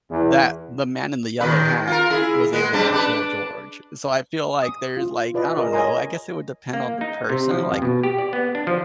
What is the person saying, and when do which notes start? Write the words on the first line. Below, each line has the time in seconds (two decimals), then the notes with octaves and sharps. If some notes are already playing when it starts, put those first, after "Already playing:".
that the man in the yellow hat was able to control George, so, I feel, like, there's, like I don't know, I guess it would depend on the person, like,
0.11 E2
1.41 D#2 D#3 B4
1.87 F4 A#4
2.10 E4 G#4
2.53 G#3 B3
2.73 G2 G3 D4
2.93 D4 B4
4.62 D#6
4.97 F4
5.34 F4 B4 D5 D#5
5.57 G#4 A#4 D#5
5.72 C#5 D#5 G#5 A#5 C6
6.73 A#3
7.01 D#4
7.29 C3
7.51 F3
7.71 F2
7.82 B2
8.03 G4
8.18 D5
8.33 B3
8.55 D4
8.67 F3